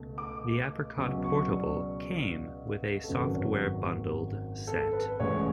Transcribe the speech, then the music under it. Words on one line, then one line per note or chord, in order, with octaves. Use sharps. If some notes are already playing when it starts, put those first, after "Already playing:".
The Apricot Portable came with a software bundled set.
Already playing: C#2 B2 A3
D6
C#2 B2 F#3 C#4
C#6
D5
A4
G#1 F#2 C#3 F#3 B4
C#5
A4
B4
A1 A2 G#3 C#4 C#5